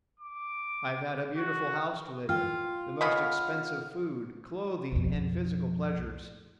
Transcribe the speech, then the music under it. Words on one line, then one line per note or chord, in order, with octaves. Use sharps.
I have had a beautiful house to live in, the most expensive food, clothing and physical pleasures.
D6
F#4
F4 G5 F6
C#3 B3 D#5 B5 F6
B1 F2